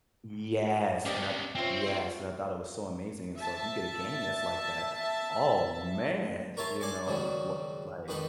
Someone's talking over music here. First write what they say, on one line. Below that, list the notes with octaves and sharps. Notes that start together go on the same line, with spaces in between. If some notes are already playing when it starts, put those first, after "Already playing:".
Yes, and I th yes, and I thought it was so amazing, and so, if you get a game that's like that, oh, man! Th you know, w what, like
C#4 D4 G4 D5 D#5
C4 F4 C5 C#5 E5 G5
E5 A5
A#4 C#5 E5 A5 A#5 C6
D5 G#5 A5 C6 C#6
D#2 G#2 C#3 F#3 G3
F2 G#2 D#3 B4 B5 C6